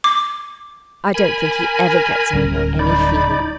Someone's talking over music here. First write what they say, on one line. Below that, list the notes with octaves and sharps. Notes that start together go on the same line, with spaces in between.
I don't think he ever gets over any feeling.
D6
A#4 G#5 B5
D1 G3 C#4
D#4 D5 B5